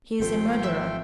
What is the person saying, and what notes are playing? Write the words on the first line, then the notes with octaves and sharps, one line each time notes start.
He is a murderer.
G#1 C3 F3 A3 G5 C6
E5